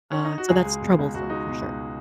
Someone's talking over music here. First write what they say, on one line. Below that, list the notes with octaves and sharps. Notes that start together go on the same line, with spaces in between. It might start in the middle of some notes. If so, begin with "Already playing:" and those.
uh, so that's troublesome for sure.
C#4
D#4
F#4
C#2 G#4
G#3
B2
C#2
C#2 F#4
G#3 D#4
B2
C#2